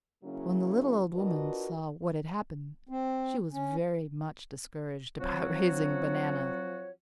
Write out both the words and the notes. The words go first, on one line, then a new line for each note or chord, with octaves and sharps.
When the little old woman saw what had happened she was very much discouraged about raising bananas.
C#3 F#3 A#3 C#4 E4 F#4
D4 F4 F#4 A#4 B4 D#5
C4
C#4
F3 F#3 C4 F#4 C#5